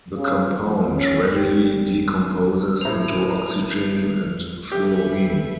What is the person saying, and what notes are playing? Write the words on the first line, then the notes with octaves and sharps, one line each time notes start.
The compound readily decomposes into oxygen and fluorine.
C#3
F3
C#4
G4
G3
A2 C5 F7
G4 A4 B4 E5